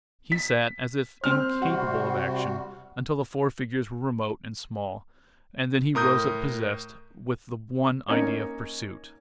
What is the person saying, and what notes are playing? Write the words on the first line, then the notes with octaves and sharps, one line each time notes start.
He sat as if incapable of action until the four figures were remote and small, and then he rose up possessed with the one idea of pursuit.
B6
C4 C5 F6
C3 G3 F#4 F#5
A2 A#4 D#6 G6
A#3 C#4 D#4 C#5